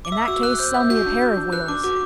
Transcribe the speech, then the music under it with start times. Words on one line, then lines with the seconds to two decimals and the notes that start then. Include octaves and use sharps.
"In that case, sell me a pair of wheels."
0.05 D6
0.12 E5 E6
0.28 F#4 E6
0.43 B3 F#6
0.59 C5 G6
0.74 E5 G6
0.90 F#4 G6
1.06 D4
1.22 F#4
1.37 D4
1.53 B4 F#6
1.68 D4 D6
1.84 F#4 D6